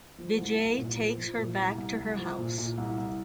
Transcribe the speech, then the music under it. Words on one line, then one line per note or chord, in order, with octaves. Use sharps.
Vijay takes her back to her house.
F3
C2
C2
A#2
F3
F3
A#2
C2
C2
C2
F3
A#2
A#2
C2
C2